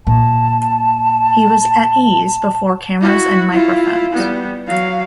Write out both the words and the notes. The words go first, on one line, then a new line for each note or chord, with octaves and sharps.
He was at ease before cameras and microphones.
A#2 A5
E4 F#4
E4 F4
G3 B3
F#3 F5